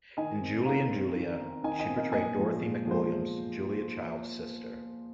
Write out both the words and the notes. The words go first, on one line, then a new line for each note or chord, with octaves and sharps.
In "Julie and Julia," she portrayed Dorothy McWilliams, Julia Child's sister.
D#3 D#5 G#5
C4
D#3 F5 A#5
C4
D#3
C4
D#3 D#5 G#5
D#5 G#5
C4
A#4 D#5
A#2 D#5 G#5
F3 G#3
A#2
F3 G#3 C5